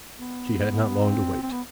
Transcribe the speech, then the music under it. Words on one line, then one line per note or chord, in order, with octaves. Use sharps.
She had not long to wait.
B3
C4
C4
B3